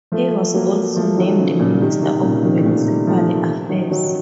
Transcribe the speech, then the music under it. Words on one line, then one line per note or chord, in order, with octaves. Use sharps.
He was also named Minister of Municipal Affairs.
F3 A3
F#3 A#3
F3 A3
D#3 F#3
C#3 F3
A#2 C#3
C3 D#3
C3 D#3
A#2 C#3
C3 D#3
A2
A#2
A2 C3
F3 A3
D#3 F#3
D#3 F#3